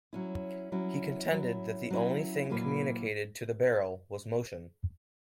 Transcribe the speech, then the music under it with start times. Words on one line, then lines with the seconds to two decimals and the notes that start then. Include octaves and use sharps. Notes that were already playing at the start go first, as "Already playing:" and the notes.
He contended that the only thing communicated to the barrel was motion.
0.13 F#3 C#4 E4
0.72 F#3 C#4 E4
1.31 F#3 C#4 E4
1.90 F#3 C#4 E4
2.50 A#2 F#3 A#3 E4 B4